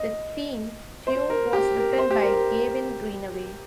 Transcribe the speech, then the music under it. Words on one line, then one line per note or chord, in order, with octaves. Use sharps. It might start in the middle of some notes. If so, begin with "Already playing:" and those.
The theme tune was written by Gavin Greenaway.
Already playing: D#5
C5
A#4
G4
A#4
C5
G4
A#4
A#4